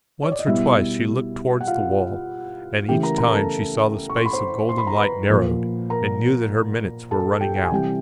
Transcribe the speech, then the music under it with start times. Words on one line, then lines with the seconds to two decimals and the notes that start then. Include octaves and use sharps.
Once or twice she looked towards the wall, and each time she saw the space of golden light narrowed, and knew that her minutes were running out.
0.23 C#5
0.32 D5
0.39 D#5
0.47 B2 G3 B3 E4 E5
1.61 F#5
1.67 F4 F5
2.89 C#3 E3 A3 G4 G5
3.03 A#4 A#5
3.18 A#4 A#5
3.33 A4 A5
4.10 C#6
4.17 C6
4.26 B5
4.33 C5 C6
4.69 C6
4.78 B5
4.87 A#5
4.96 B4 B5
5.30 A#2 F3 A#3
5.90 A#4 A#5
7.11 A4 A5
7.41 G4 G5
7.56 G5
7.65 G#5
7.71 C3 E3 G3 G4 G5